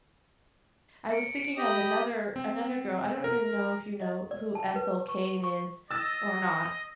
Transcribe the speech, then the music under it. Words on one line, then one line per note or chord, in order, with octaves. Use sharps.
I was thinking of another another girl, I don't even know if you know who Ethel Cain is or not,
C#7 D7
G4 D#5 B5 D#6
C4
A#4
D#5
D5
A5
B4
C#6
C#6
D#5 E6 A6